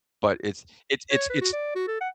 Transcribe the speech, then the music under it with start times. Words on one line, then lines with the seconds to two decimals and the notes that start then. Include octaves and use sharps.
but it's it's it's it's
1.10 C#5
1.30 B4
1.41 F#4
1.53 D5
1.76 F#4
1.88 A4
2.01 F#5